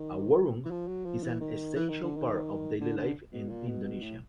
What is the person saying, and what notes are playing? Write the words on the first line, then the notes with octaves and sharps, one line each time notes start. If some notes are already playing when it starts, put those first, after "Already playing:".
A "warung" is an essential part of daily life in Indonesia.
Already playing: D#3
E3
F3
F#3
F3
E3
D#3
E3
D#3
D3
D#3
D3
D3
B2
A#2
B2
B2
A2